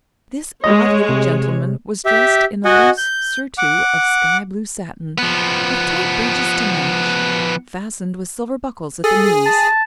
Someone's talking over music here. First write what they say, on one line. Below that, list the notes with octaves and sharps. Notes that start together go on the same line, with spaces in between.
This odd little gentleman was dressed in a loose surtout of sky-blue satin, with tight breeches to match, fastened with silver buckles at the knees.
G#3 C#5 D#5
C3
G4 E5
F#4 D#5 F#5 G#5
G6
F#5 D6
F3 B3
G#4 A4
G#4
A5